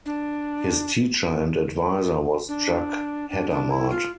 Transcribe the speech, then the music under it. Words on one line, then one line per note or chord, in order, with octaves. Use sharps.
His teacher and advisor was Jacques Hadamard.
D4
D4
D4
D4
E4
F4